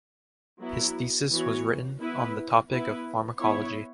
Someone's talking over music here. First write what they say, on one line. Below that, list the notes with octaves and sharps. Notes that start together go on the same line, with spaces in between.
His thesis was written on the topic of pharmacology.
F#3 B3 E4
E3 B3 F#4 C#5
B3 E4 B4
B3 E4 B4
B3 E4 C#5